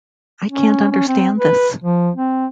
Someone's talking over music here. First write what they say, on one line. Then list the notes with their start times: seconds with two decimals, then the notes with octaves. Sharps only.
I can't understand this!
0.48 C#4
0.91 C#4
1.08 C4
1.38 B4
1.84 F3
2.16 C4